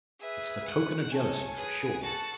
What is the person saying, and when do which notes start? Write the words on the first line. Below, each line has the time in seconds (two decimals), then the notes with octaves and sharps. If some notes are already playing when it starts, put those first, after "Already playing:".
It's the token o' jealousy for sure.
0.21 G#4 B4 E5
0.67 F#5
1.11 A4 C#5 G#5
1.58 G#4 B4
2.03 F#4 A4 A5